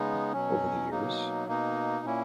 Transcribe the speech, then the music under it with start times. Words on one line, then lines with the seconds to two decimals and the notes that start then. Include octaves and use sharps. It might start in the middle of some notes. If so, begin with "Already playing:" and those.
Over the years.
Already playing: C#3 G#3 B3 D#4
0.32 B2 F#3 C#4
0.91 B2 F#3 A#3 D#4
1.48 B2 A#3 D#4
2.05 A#2 A#3 C#4 E4